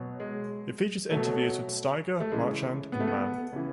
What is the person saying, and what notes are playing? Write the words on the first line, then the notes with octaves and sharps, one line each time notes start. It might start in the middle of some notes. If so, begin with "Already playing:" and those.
It features interviews with Steiger, Marchand and Mann.
Already playing: B2 F#3
G#3
B2 F#3 A3
A3
C#3 E3 G#3
B3
A3
B3
C#3 E3